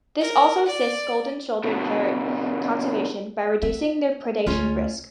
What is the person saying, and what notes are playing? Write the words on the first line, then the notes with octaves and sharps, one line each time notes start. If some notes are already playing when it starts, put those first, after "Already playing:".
This also assists golden-shouldered parrot conservation by reducing their predation risk.
A#4
D5
B2 D3
C4 E5
D2 C#4 F4 C#5